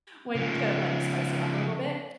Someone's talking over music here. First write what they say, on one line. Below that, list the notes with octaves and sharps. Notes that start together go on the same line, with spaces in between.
when to, like, spice it up a little bit.
C#3 F3